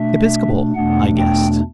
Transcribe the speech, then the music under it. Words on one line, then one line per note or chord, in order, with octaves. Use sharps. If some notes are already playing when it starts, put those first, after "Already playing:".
"Episcopal?" I guessed.
Already playing: B2 A3 D4 E5
E2 B2 A3 D4 F#5
G5